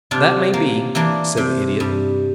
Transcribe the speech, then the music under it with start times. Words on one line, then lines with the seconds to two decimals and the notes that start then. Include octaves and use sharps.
"That may be," said the Idiot.
0.11 C3 D4 F4
0.54 A#3
0.95 E3 A#3 D4
1.37 C3
1.80 G2